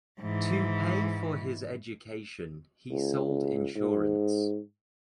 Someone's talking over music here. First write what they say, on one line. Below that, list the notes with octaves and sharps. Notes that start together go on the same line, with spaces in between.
To pay for his education he sold insurance.
G#2 E3
C#2
G#2